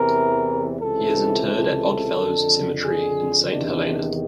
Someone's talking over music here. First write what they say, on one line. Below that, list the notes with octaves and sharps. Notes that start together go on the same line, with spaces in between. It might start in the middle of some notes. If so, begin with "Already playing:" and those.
He is interred at Odd Fellows Cemetery in Saint Helena.
Already playing: E2 C3 E3 A#4
C#2 C3 E3 A4
A4
F2 D3
G#4
E2 C3 D#3 D4